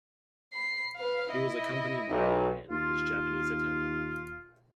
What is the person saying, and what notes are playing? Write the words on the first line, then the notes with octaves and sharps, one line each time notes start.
He was accompanied by Ryan, his Japanese attendant.
B5 C7
B4 F5
E4 D#5
B1
D#2 F4